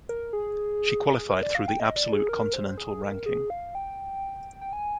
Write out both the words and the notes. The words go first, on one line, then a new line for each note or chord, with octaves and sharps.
She qualified through the Absolute Continental Ranking.
A#4
G#4
A#4
D5
F5
G5
D#5
D5
G#4
A#4
C5
G#4
A#4
G#4
F5
G5
G5
G#5